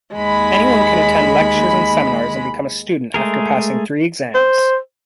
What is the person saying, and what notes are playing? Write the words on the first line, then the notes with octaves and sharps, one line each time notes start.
Anyone can attend lectures and seminars and become a student after passing three exams.
D#2 G#3 B5
G#3 A3 G#4 A#4
C5